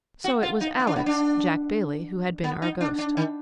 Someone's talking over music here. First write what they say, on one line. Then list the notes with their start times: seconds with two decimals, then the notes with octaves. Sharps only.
So it was Alex, Jack Bailey, who had been our ghost.
0.24 F#4
0.43 F4
0.61 D#4
0.79 B3
0.87 D4
0.96 B3
1.06 D4
2.44 B3
2.62 D#4
2.81 D4
2.99 D4
3.17 D#3